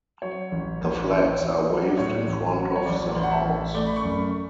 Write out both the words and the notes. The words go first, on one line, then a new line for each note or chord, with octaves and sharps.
The flags are waved in front of the house.
F#3 C#5
A1
A1
A1
A1
F#3
D5
A2 C#5
A1
F#3
C#5
A1 D5
A1
F#5
E5
A1
A3 D5
B5
C#6
F#2